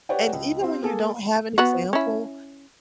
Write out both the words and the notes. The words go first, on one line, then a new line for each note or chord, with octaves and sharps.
And even when you don't have an example
G4 B4 C#5 D5 F#5 G5
C#2
C4 F4 G4 C5
A#3 G#4 A4 G#5
B3 F#4
C#4 E4